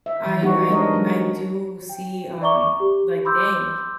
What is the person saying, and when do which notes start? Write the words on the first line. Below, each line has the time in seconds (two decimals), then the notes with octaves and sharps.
I I I do see, um, like dang,
0.06 E5
0.26 E3
0.42 F3 G3 A#3 D#4 F#4 G4
0.69 G#3 D4 D#4 A#4 C#5 D#5
0.93 F#3 G#3
1.89 G5
2.41 D5 E5 A#5 C#6 D6 G7
2.80 G4
3.25 B5 C6 D6 E6 G6